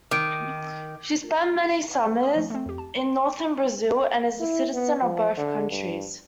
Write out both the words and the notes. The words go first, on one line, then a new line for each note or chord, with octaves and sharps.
She spent many summers in northern Brazil, and is a citizen of both countries.
D#3 D6 D7
D#6
F3 A3
A3 C4
F2 G4
A5
E4
B3
F3
D3
G2